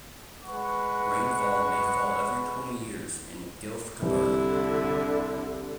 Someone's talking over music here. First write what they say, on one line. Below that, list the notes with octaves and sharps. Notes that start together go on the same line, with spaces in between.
Rainfall may fall every twenty years in Gilf Kebir.
G#3 B4 F#5 C#6
C2 D3 E4